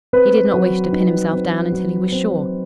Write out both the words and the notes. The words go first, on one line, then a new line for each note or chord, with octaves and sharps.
He did not wish to pin himself down until he was sure.
C4 B4
F#3
D#4
C4
F#3
C4